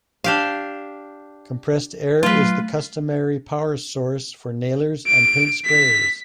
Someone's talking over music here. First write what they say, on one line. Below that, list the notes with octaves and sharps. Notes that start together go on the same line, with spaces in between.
Compressed air is the customary power source for nailers and paint sprayers.
D4 G4 F5
F#3 A3 F4 B4
D7
B6